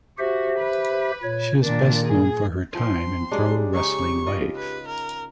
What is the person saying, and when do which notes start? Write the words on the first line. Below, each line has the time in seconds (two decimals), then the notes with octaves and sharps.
She is best known for her time in Pro Wrestling Wave.
0.18 F#4 G4 C5 E5
0.59 B4
1.23 A#2 C#5
1.63 A#2 D#3 D4
2.06 G#4
2.75 F3 C4 C6
3.31 F#3 G#3 D4 G4
3.75 C#3 D#4 G#4 C#6
4.27 F4 D#5
4.56 B4
4.88 A#4